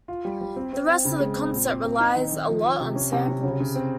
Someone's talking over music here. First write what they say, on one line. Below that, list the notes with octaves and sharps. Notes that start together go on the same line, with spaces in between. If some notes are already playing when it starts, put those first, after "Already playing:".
The rest of the concert relies a lot on samples.
F4
G3
G3
C4
C4
C4
C#3
G#3
C4
A#2
C4
C4
D#4
D#3
D#3
F3
F3
C3
C#4
C3
C3
C#3
C#3
C4